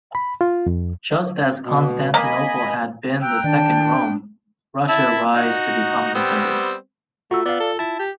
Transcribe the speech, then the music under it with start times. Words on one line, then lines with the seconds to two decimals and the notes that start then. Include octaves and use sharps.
Just as Constantinople had been the Second Rome, Russia rise to become the Third.
0.15 B5
0.41 F4
0.66 F2
1.64 B2
2.14 A#3 D#5 G#5 B5
3.21 G5 A#5 E6 F#6
3.44 D#3 D4 D5 A5
4.89 E4 E5 A5
5.35 D#4 F#4
6.15 G3 B3 C4
7.31 A3 F4 F#4 E6
7.46 B3 D5 F5
7.60 A4
7.79 E4 A5
7.99 G4